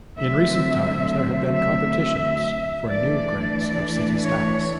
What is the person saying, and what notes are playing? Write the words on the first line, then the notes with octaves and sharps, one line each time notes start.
In recent times there have been competitions for new grants of city status.
D3 F#3 A3 C4 E5
E5
E3 A3 D4 D5
C#5